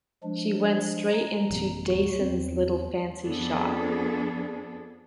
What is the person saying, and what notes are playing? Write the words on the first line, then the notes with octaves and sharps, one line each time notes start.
She went straight into Dayson's little fancy shop.
F3 G#3 D4
A#5
A1 F#2 B2
D2 F#4
E2 C4
F2 F3 B3 D4 G#4 A4